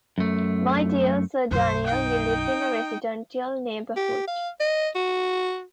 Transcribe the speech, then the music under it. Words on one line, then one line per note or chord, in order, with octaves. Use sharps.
My dear Sir Daniel, we live in a residential neighborhood.
F#2 A3
B1 F#2 C5
D#4 G5
G4
F5
D#5
F#4